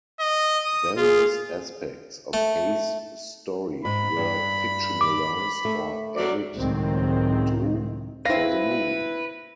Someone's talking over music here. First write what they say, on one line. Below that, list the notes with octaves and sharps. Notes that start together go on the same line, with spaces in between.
Various aspects of Hayes' story were fictionalized or added to for the movie.
D#5
D#6
F4 G#4
A3
G#2 B5
G2
D6
A3
F#3 D5
C#2 A2 D#3 F#3 G#3 C4
C4 E4 B4 F5 A#6